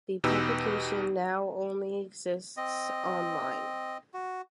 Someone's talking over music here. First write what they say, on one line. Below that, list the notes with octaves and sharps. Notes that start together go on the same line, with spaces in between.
The publication now only exists online.
E2 B2 D#4 G4 B4 E6
C4 D#5
F#4